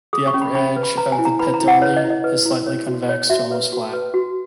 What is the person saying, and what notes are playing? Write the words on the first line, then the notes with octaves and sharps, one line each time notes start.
The upper edge of the petiole is slightly convex to almost flat.
G#4 D#6
C#6
C#4
B5
C#4 B5
B4
B5
B4 A#5
G#5
E4
A#5
B4 B5
A#5
E4
F#5
B4 C#5
D#5
E4
D#5
B4
E4
C#5
F#4
C#5
F#4 E5
B4
F#4
B4
F#4